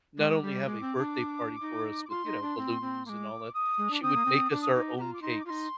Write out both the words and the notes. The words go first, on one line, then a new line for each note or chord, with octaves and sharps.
not only have a birthday party for us with, you know, balloons and all that, she would make us our own cakes.
G#3 D6
G3
G#3 D6
C4
D4
D#4
D6
F4 C6
D#4
D4
C4
C4
G#3 A#3 D6
D#6
G#3
D4 D6
C4 D#6
A#3
C4
D4 D6
D#6
D#4 D6
F4 G4 A#5
D6
D#4 C6
D6
D#4 F4 C6